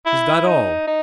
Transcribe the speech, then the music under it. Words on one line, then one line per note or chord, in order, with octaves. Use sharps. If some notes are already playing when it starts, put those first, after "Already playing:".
"Is that all?"
E4
D#4
D#4